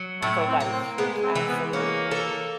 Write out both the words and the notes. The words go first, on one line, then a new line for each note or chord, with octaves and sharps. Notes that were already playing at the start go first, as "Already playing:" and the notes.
for life. Absolutely.
Already playing: F#3
A2 A3
C4
A#3
C4
G#3 B3
C4
E3
B3
A#3 C#4
A4